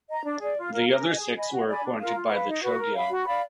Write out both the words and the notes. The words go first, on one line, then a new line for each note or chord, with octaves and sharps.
The other six were appointed by the Chogyal.
D#5 A#5
D4
G#4 D5
F4
A#4 F5
A#4
D#5 G#5
G#4
D#5 G#5 B5
F#4
D5 G#5 B5
D4
F4 A#4 F5
F4
B4 F5
D#4
F#4 B4
A#4
F5 B5
F#4
D5 F5 B5